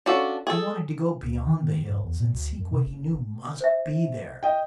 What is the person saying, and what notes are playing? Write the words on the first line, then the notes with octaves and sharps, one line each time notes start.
He wanted to go beyond the hills and seek what he knew must be there.
C#4 D4 F4 F#4 A4
G#4 A4
D2
D#3
G2
E2
A#2
D2
F#2
C3
F#1
C5 E5
D#5 G5